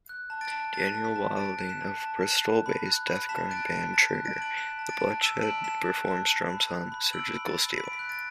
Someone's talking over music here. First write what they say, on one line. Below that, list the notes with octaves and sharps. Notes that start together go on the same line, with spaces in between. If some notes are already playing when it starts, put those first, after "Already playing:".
Daniel Wilding of Bristol-based deathgrind band Trigger the Bloodshed performs drums on "Surgical Steel".
F#6
A5
A6 D7
A5
F#6 A6
A5
B6
A5
A5 A6 D7
F#6
B6 E7
A5
A5
F#6
A5
B5
F#6
B5
A5 B6 E7
F#6 A6 D7
A5 B6
A5 A6
B6
F#6
A6 D7
A5
D7 F#7
F#6 B6 E7
A5
A6 D7
A5
E6 B6 E7
A5 D7 F#7
A5 B6 E7
F#6
A5
A5
B5
F#6
B5
E6 D7 F#7
B5
A6
B5
B5 B6
D7
B6
F#6
A6 D7